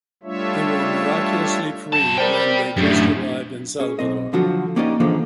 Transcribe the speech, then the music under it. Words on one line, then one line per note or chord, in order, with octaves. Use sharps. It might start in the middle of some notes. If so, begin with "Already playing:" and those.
They were miraculously freed when they just arrived in Salvador.
G3 A3 D4 F4 C#5 E5
F#2 A5
A#4 C5 D5 G5
F#2 A2 D4 G4 B6
D4
C#4 G#4
B1 C4 D#5
D3 F3 F#3 F4 F#4
A#3 C#4 D#4 G4 D5 D#5
D3 E3 F3 G#3 A#3